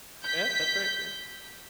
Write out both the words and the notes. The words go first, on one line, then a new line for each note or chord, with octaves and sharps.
Yeah, that's right, yeah.
G6 B6